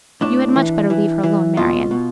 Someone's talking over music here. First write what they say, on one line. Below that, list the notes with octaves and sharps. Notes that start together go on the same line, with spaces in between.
You had much better leave her alone, Marian.
A2 D4
E3
E3
E3
B2 F4
B2